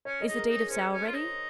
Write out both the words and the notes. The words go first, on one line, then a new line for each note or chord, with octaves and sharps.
"Is the deed of sale ready?"
C#4 C#5
D#5
D#4 G#4
A#4
D#4
G#4
C#4 C5
C#4
F4
D#4